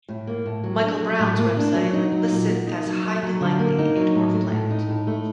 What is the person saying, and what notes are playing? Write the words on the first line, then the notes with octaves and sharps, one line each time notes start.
Michael Brown's website lists it as highly likely a dwarf planet.
A2
A#3
A2
F#3
D4
F#3
A2
A#3
D4
F#3
D#4
F#3
A#2
A#3
D#4
F#3
D#4
F#3
D3
A#3
D#4
F#3
A2
A3
A2
D#4
A2
A3